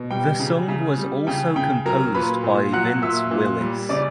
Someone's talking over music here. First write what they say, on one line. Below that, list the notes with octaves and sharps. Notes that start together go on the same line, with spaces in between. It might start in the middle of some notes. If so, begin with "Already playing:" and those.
The song was also composed by Vince Willis.
Already playing: B2
G3 G5
C#3
C#3
G3
C#3 G5
C#3 G5
F#3 A#4 A#5
A#2 B4 B5
A#2
F#3 F#5 F#6
A#2 E5 E6
A#2
G3
C#3 D5 D6